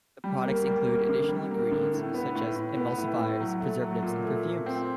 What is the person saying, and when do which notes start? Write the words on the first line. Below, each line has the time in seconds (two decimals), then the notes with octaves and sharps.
The products include additional ingredients such as emulsifiers, preservatives, and perfumes.
0.24 G3
0.46 A#3
0.67 G3
0.87 A#3
1.09 D3
1.29 G3
1.51 A#3
1.72 D3
1.93 A2
2.14 B3
2.35 A2
2.56 A2
2.77 B3
2.98 A2
3.19 A2
3.40 F#3
3.60 A3
3.82 F#3
4.02 A#2
4.24 A3
4.46 A#2
4.66 C4